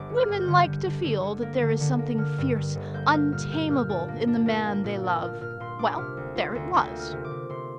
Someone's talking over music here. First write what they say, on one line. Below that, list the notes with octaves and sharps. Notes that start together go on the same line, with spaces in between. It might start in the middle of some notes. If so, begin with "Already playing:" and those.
Women like to feel that there is something fierce, untamable in the man they love; well, there it was.
Already playing: G1 D6
D3
F6
G2
G6
D3
D3
D3
D3
D3
A#3
D3
D3
A#3
D3 F6
G2
G2
G1
A#3 G6
A#3 F6
A#2 F6
A#2 G6
A#2 F6
D4
A#3
D4
A#3
A#3
A#2
D4
A#2 F6
A#2 F6
A#2 C6
D4 D6
C3 F6
D2
F4
D2
D2 G6
A#3
F6
C3
D6
C3
C3 C6